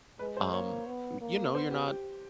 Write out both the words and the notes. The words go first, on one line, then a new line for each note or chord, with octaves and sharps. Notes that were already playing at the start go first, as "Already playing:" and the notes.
um, m you know, you're not,
G#3 B4
C5
A#3 C#5
B3
A#3
B3 C5
G4
G4